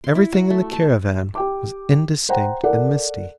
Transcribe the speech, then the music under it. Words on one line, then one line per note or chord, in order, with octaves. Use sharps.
Everything in the caravan was indistinct and misty.
C6
E4
F#4
A3
A5
G4 G5 D6
C5 F#5 G5 A#5
A4 A#4 D5 F#5